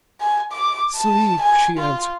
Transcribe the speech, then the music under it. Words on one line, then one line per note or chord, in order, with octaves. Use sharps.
"Sleep!" she answered.
G#5
D6
A5
G#5
F4